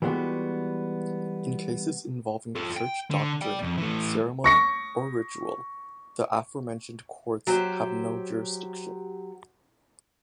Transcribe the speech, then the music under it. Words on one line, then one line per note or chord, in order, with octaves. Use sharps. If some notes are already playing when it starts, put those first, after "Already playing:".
In cases involving church doctrine, ceremony or ritual, the aforementioned courts have no jurisdiction.
E3 G3 G#3 B3 F#4
F4 A4
G5
D3
D5 G5
F2
E3 A3
C#6 A#6 C#7
F#3 G4 C5